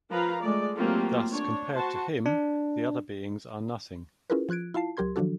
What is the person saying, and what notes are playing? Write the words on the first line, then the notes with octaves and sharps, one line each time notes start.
Thus compared to him the other beings are nothing.
F3 A#4 B4 F5 A#5
G#3 A3 D5
F#3 A3 A#3 C4 F4 G4
D4 C#5
F#4 C5 A5
D4
C#4 E4 F4 G#4 A#4 B4
F3 F4 F#6 G#6 D7
E4 F4 F5 A5 C7
C#2 F#3 G4 A#4 C6 G#6
D#3 F3 F#3 D4 F#4 A4